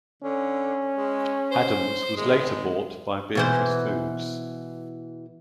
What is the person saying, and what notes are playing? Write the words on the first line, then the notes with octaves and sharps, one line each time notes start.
Adams was later bought by Beatrice Foods.
D3 C#4
G#3
C5
G#1 G#3
B2 E3 C5